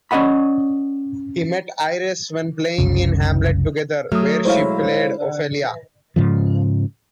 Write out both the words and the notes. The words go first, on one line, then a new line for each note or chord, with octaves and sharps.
He met Ayres when playing in "Hamlet" together, where she played Ophelia.
C#4 D5 D#5 F#5 B5
F#1 C2 C#3
F#3 A3 D#6 F6
G#3 E4 C5 C#5 F5
G#2 C#3 F3